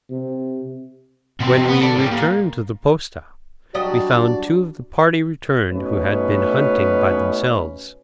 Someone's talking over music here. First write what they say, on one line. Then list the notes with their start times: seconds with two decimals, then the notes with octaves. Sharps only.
When we returned to the posta, we found two of the party returned who had been hunting by themselves.
0.11 C3
1.40 B2 C4
1.68 B3
1.82 A4 D5
1.96 A2 G3
2.11 A#2
3.75 F#3 G3 D4 F#4 D5 D#5
5.73 B2 A3 C#4 D#4 B4